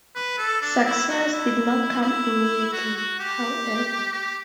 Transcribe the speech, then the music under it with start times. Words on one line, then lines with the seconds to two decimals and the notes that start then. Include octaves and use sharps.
Success did not come immediately, however.
0.15 B4
0.38 A4
0.62 D4
0.85 E4
1.09 F#4
1.33 E4
2.02 E4
2.73 F#4
2.96 F#4
3.19 G4
4.12 G4